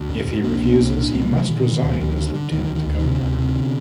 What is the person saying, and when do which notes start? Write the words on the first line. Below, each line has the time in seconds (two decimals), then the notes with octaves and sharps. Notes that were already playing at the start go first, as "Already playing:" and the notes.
If he refuses, he must resign as Lieutenant Governor.
Already playing: D2
0.09 F#2
0.27 F#2
0.44 C2 A#3 D4
0.61 C2
0.79 C2
0.97 A#2
1.03 D4
1.13 C2 A3 C4
1.25 G3 A#3
1.31 C3
1.36 F#3 A3
1.48 A#2 D#3
1.60 D3
1.66 A#2
1.71 D#3
1.83 D2
2.00 D2
2.17 D3
2.34 D3
2.51 D2 D#3
2.64 D#3
2.69 D2
2.75 D#3
2.86 D2
2.99 D#3
3.04 C3
3.10 D3
3.22 D2
3.39 C3
3.55 D3